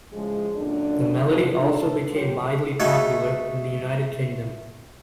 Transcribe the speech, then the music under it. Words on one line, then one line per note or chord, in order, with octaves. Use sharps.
The melody also became widely popular in the United Kingdom.
A2 C#3 F3 G#3
F#2 A#2 D3 D4
F2 A2 D3 E3 F3
A2 D4 A4
F#3 F4 G4
A3 D#4 F#4 G#4